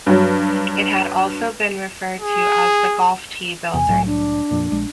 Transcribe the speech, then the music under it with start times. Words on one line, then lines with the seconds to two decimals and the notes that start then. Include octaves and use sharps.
It had also been referred to as the "golf tee" building.
0.06 G2 F#3
2.20 G#4
3.74 E2 C3 G#5
3.86 C2 A2 F#3
4.06 D4
4.51 F2 A#2
4.72 A#1 G#3